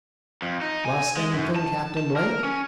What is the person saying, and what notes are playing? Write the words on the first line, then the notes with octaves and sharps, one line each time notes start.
"Lost anything, Captain Blake?"
F2
D#4
G#5
G#3
F#2
A5
A5
A#4
C#4